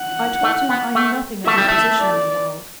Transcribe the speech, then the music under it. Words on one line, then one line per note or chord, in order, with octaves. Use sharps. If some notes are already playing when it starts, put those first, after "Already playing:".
I told him I knew nothing of your position in the world.
Already playing: F#5
A3
B3
A3
A3 E5
G3
A3
D5